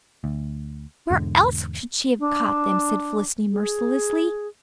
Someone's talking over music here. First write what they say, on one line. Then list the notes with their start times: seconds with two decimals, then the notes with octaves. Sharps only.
"Where else could she have caught them?" said Felicity mercilessly.
0.24 D2
1.10 E2 G#2 B2 D3
2.19 D4
3.52 G#4